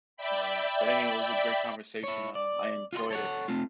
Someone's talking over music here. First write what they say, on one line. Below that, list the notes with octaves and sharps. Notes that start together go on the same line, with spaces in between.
Yeah. But anyhow, it was a great conversation, um, I enjoyed it.
D5 E5 G5 B5
E4 C#5
D5
F4 F#4 E5 C6
A4 C#5 F#5
A3 C4 F4